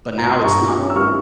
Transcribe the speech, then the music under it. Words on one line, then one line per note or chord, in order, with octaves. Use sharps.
but now it's not
A#5
C6
G2 A#5 C#6
E4
C#4
E6
G3 C#6 F6